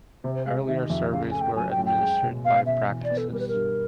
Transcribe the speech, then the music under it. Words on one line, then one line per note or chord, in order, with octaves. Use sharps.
Earlier surveys were administered by practices.
C3 C5
C5
G#3 F5
D#3 E5
D#5
F2 E5
C#3 F5
A3 G#5
G5
F#3 G#5
G5
F#2
G5
G#3
B2
B3 F5
B2 E5
E3
D5
B3
A4
G3 A#4
B4
A#4
G2